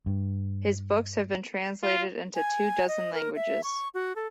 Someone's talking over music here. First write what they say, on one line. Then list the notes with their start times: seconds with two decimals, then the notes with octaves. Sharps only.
His books have been translated into two dozen languages.
0.06 G2
1.83 F4
2.35 G#5
2.88 D#5
3.14 A#4
3.36 E5
3.64 C#6
3.94 F#4
4.16 A4